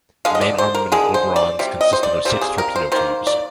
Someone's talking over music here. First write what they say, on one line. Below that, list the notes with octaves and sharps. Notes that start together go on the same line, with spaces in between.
The main armament of the "Oberon"s consisted of six torpedo tubes.
D3 G#3 F5
D#5
D5
C5
A#4
D3 G#3 G#4
C5
D5
C3 G3
D#5
C5
D5
C3 G3 A#3 C5
G#4
A#4
C5
D#3 A#3 C5
D5